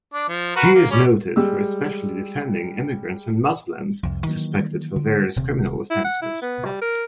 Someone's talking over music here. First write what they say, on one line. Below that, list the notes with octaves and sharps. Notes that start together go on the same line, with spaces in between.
He is noted for especially defending immigrants and Muslims suspected for various criminal offences.
D4
F3
F#4 A#4 B4
A#3
G3 C#4
G3 G#3 E6
C2 F2
D#3 E3 F#3 A#3
D3
D#1 C3
E4
F#5
E4
B3
G3
A#4